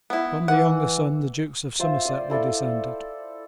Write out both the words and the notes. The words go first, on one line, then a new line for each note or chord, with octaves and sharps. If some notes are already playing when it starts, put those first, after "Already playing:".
From the younger son the Dukes of Somerset were descended.
B3 E4
E3 F#5
F4 C5 E5
D5 D#6
E4 A4 D5 E5